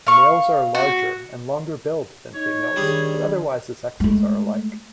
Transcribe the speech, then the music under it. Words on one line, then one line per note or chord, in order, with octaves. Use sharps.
Males are larger and longer-billed than females, but otherwise the sexes are alike.
F5 C#6
F#4
D#4 C#5
D#3 G3 D4 G#4
G#3 A3